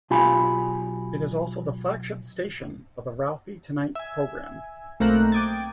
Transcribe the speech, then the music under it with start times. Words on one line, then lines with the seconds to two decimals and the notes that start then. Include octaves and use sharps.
It is also the flagship station of the "Ralphie Tonight" program.
0.10 B1 F4 G4 G#5 A5 B5
3.95 E5 G#5
5.00 B1 A3 A#3 C4 A#5 F#6
5.32 G5 D6 D#6 G#6 A6